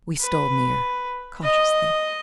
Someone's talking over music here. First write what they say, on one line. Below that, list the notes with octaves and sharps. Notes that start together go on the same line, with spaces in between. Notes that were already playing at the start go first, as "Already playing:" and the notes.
We stole near, cautiously.
B4
D#5